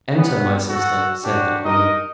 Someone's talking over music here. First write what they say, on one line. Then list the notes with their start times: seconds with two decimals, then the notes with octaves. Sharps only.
"Enter, my sister," said the queen.
0.17 G3 B3
0.68 F#4 A4
1.24 D4 F#4 G4
1.64 D#4 A#4 D#5